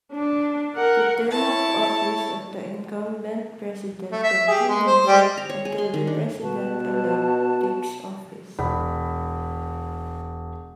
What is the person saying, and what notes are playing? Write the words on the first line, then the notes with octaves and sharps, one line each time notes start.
The term of office of the incumbent president continues until the President-elect takes office.
D4
A#4 F#5
E4 C#5 A5
A3
E5
G4 G#4
G#3
C5
G3 G#3 G4
A#5
C#5
G#4
C6
D#3
D4
B2 F#4 B4 A5
E1 B5